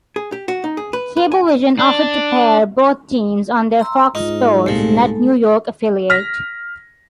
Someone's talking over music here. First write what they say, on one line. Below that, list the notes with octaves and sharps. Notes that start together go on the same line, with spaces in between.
Cablevision offered to pair both teams on their Fox Sports Net New York affiliate.
G#4
G4
F#4
D#4
G#4
B4
B4
G#5
D4
A#5 C6 E6
G#2 D#4 F4
C2 A#2 G#3 A3 A4
F6 A#6 B6